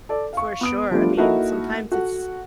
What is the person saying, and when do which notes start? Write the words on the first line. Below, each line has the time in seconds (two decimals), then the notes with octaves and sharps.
For sure. I mean, sometimes it's
0.09 A4 D5
0.33 F5 C#6
0.61 B3 D#6 D7
0.91 F3 G3 A3 B3 D4 F4
1.17 A#3 D#4 E4 F#4 A4 A#4
1.92 F#4 A4 F#5